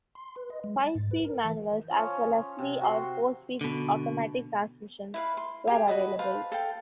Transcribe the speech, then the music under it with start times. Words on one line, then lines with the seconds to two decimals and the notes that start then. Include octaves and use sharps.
Five-speed manuals as well as three- or four-speed automatic transmissions were available.
0.15 C6
0.36 B4
0.50 D#5
0.64 G#3
0.80 A6
0.95 G#2
1.11 B4
1.24 A#4
1.45 E3
1.90 F3 C#4
2.59 C3
2.81 F#4 C6
3.61 B2 D3
5.14 E4 B4 F5
5.37 C6
5.67 G4 G#4
5.88 F#4 B4 D#5 B5
6.19 B4 C5 F5 A5
6.52 A4 F5 G5